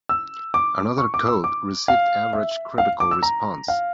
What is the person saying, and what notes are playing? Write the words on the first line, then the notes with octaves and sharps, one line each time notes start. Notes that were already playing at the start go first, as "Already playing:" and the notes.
"Another Code" received average critical response.
E6
D6
C#6
D6
E6
D6
F5
E5
F5
D6
E6
A#5
F5